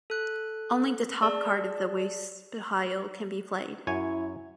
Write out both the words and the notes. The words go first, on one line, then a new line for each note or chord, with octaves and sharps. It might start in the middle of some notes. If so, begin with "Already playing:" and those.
Only the top card of the waste pile can be played.
A4 F#6
G#4 D5 A5
F#2 E4 C#5 G#5